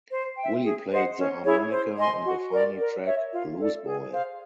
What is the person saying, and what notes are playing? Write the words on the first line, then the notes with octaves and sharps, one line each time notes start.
Willie played the harmonica on the final track "Blues Boy".
C5
E5 G5
G#4
C5 D#5 F#5
C#4
E4 G#4 C#5
C5
D#5 G#5 C6
F#4
A#4 D5
A#4
C#5 E5
F4
A4 D5
G#4
C5 F5